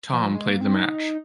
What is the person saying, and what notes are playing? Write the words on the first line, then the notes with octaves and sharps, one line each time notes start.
Thom played the match.
F3
G#3
A#3
C4
D#4